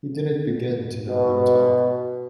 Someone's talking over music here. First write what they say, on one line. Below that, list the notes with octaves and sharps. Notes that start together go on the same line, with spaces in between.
He didn’t begin to know how to talk.
B2